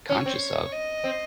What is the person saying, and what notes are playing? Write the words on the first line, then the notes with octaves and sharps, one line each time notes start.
conscious of.
C#4 C#5
C4
D#5
C4